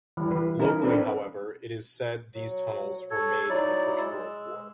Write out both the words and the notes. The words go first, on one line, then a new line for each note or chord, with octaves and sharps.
Locally however it is said these tunnels were made in the first world war.
E3 G3
E3 B4
C#4 D#4 A#4
C4 D4 A4 B4
F#3
A4 C#5
F#3 D#4 E4 D5
G#3 E6